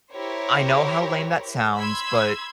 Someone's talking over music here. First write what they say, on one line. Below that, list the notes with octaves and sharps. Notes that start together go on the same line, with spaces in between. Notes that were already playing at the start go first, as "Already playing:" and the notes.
I know how lame that sounds, but
E4 G4 A#4 C5 C#5
B5 C6 E6 G#6